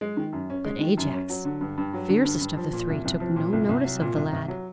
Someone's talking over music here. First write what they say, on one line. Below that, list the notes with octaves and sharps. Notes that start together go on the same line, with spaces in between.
But Ajax, fiercest of the three, took no notice of the lad.
G#3
D#3
F#2
C#4
G#3
D#3
F#2
C#4
F#3
D3
G2
G2
F#3
D3
G2
G2
F3
A#2
C2
C2
F3
A#2
C2
C2
F#3
A#2
C2
C2
F#3